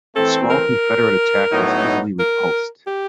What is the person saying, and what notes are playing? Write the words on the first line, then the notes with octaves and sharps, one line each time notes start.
The small Confederate attack was easily repulsed.
E3 A3 C4 A4
A#4
A2 F#3 B3 D#4
A#4
G4